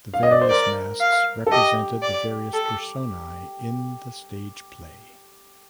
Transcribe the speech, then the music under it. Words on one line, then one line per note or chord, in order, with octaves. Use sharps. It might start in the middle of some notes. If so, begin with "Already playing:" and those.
The various masks represented the various "personae" in the stage play.
F5
D#5
D5
C5
A#4 D5
F5
A4
G4 D#5
D5
A4